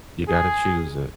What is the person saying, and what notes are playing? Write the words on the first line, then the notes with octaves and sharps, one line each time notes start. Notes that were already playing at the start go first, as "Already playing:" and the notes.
You gotta choose it.
G#4